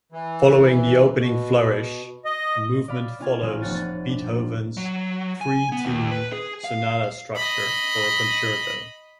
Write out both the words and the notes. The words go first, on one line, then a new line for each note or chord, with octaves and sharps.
Following the opening flourish, the movement follows Beethoven's three-theme sonata structure for a concerto.
E3
B2
D#5
D5 D#5 F5 B5
B3 C#4 F4 F5 G#5
A1 G#3 C4 F5 F6
F1 A#2 C#5 F#5 A6 D#7
D4
A#3
F#3
G#5
B3
D#2
B4
G#4
F5
D#5 B5